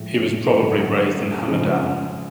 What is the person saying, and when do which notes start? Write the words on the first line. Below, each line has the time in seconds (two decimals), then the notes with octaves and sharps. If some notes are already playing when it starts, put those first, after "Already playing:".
He was probably raised in Hamadan.
Already playing: A2 F3 G#3
0.56 D3 F#3 A3
1.48 C#3 F3 G#3